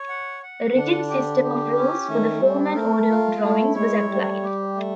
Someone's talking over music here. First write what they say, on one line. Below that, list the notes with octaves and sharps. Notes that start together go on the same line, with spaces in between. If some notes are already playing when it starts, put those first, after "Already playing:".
A rigid system of rules for the form and order of drawings was applied.
Already playing: C#5
F#5
F#5
D3 D4
G4
G4
C#4
D#3 A3
G3 C4
A3 A#4
F4
A3 E4
G#3 C#5
G3 A3
G4
A3